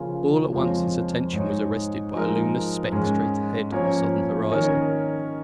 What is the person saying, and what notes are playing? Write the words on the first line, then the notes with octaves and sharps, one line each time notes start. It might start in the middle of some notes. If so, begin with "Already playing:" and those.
All at once, his attention was arrested by a luminous speck straight ahead on the southern horizon.
Already playing: C#3 F3 A#3 C#4 F4
F2 F3 G#3 F4 C#5
G#2 G#3 D#4 C#5
F3 G#3 D#4 A#4
G#2 G#3 C#4
F3 A#3 C#4 A#4 C#5
D#3 C#4 A#4 C#5